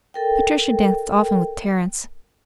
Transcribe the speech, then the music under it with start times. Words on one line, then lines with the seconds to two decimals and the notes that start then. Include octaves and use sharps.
Patricia danced often with Terence.
0.14 A4 A#4 G5